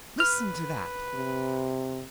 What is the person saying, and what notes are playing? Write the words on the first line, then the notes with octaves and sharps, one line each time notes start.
Listen to that!
B4 F6
C3